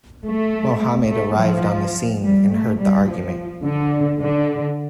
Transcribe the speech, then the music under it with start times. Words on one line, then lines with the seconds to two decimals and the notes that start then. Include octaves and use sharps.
Muhammad arrived on the scene and heard the argument.
0.24 A3
1.09 A3
1.36 F3
2.22 G3
2.50 A3
2.78 G3
3.07 F3
3.63 D3
4.20 D3